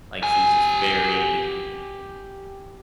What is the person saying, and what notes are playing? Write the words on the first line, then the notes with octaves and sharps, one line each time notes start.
Like, she was just very,
G4 G#5